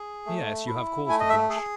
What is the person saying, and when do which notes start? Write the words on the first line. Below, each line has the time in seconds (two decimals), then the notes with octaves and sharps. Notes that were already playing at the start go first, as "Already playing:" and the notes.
Yes; you have cause to blush.
Already playing: G#4
0.26 A3
0.67 E4
1.09 A3 G#5
1.20 D#5
1.29 E5
1.49 G#4 A4